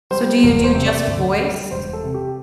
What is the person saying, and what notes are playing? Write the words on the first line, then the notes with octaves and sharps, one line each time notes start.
So, do you do just voice?
G3 C5
E1 A#4
A#4
C5
C3
D5
D2
G3
E1 C5
A4
C3
G4